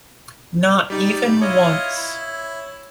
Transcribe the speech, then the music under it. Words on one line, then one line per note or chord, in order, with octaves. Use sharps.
Not even once.
G3 D#4 G4 D5
E4 F4 C#5 D#5
E4